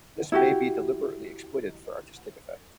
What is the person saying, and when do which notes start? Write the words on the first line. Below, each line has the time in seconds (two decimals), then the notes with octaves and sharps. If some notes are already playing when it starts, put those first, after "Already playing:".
This may be deliberately exploited for artistic effect.
0.32 E4 F#4 G4